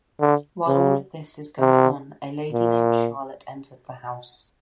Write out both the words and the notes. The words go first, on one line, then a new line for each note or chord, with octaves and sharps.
While all of this is going on a lady named Charlotte enters the house.
D3
C#3
C3
A#2